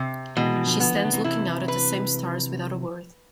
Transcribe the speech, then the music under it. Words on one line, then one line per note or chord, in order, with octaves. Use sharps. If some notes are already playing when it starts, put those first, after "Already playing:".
She stands looking out at the same stars without a word.
Already playing: C3
B2 E3 G#3
E3
D3 F3
B3
E3
D3
C3 E3
C3 E3 E4
B4